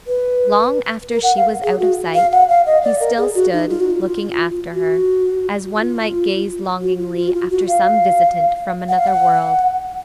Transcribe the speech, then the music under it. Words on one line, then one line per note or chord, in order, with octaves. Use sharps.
Long after she was out of sight he still stood looking after her, as one might gaze longingly after some visitant from another world.
B4
A#4
F#5
F5
G#4
F#4
F5
F#5
F5
D#5
D5
A#4
G#4
F#4
D#4
F4
F#4
F4
F#4
F4
F#4
F4
F4
F#4
F4
F#4
F5
F#5
F5
F#5